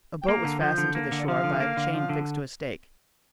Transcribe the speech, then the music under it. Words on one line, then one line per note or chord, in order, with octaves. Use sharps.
A boat was fastened to the shore by a chain fixed to a stake.
G5
A#3 A#5
D3
F3 G6
D3
A#3
D3
D5
F3 F5
D3
A#3
D3
F3
D3